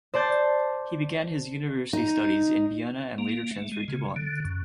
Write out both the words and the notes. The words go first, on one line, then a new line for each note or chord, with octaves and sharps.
He began his university studies in Vienna and later transferred to Bonn.
C5 D5 A5 G6 A6
D#4
A#3
A3
G#3
C#3
D3
F#2